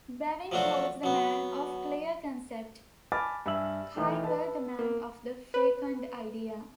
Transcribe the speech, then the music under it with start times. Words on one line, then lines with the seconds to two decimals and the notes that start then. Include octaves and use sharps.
Bavinck was the man of clear concept, Kuyper the man of the fecund idea.
0.52 F3 F#3 A3 D4 F#4
1.03 F#3 B3
3.12 G#5 A5 B5 D6 F6 A6
3.46 G2 E5 G#5 E6 F#7
3.96 B1 D#3 E3 A3
4.24 B4 A5
4.79 A#3
5.54 B4